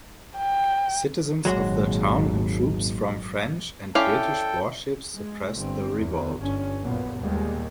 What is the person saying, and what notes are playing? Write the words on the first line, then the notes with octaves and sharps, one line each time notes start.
Citizens of the town and troops from French and British warships suppressed the revolt.
G5
G#1 D#2 A#2 F#3 G#3 F#4
C#4 E4 A4 D5 E5 F5 G5
G#3
G1 C4
E2
G1 C#4
A#1 F#2 A#2 B3
D#2 A#2 G3 G#3